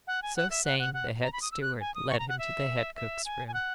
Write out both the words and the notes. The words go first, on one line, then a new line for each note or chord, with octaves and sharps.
So saying, the head steward led him to the head cook's room.
F#5
G#5
F#5
E5
F#5
F#5
F#5
A#5
B5
D#6
E6
F#6
G#5
D#6
C#6
A#5
F#5
E5
E5
G#5
G#5
F#5